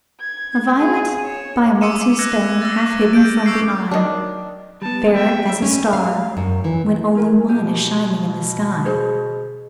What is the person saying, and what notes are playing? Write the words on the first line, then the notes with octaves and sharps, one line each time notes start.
A violet by a mossy stone Half hidden from the eye! --Fair as a star, when only one Is shining in the sky.
G#6
G#4
C#5 E7
D6 E6 C#7 D#7 E7
E6 F#6 G#6 A#6 C#7 E7
E6 A6
G6 D7
C#6 D6 E6 G6 C7
D#3 F#3 D4 D#5
G3 B3 A5
F#3 G3 B3 E5 G5
C#4
F5
F#2
E3
E4 A#4 G#5
B2 G4 G#5
G#4 C5 C#5